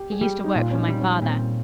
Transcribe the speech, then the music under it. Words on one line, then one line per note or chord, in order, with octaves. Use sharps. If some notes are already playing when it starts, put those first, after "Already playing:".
He used to work for my father.
Already playing: G4
G#4
G3 G4
D#4
A#2 F4
C#4
D#4
G3 D#4
C#4
A#2 C4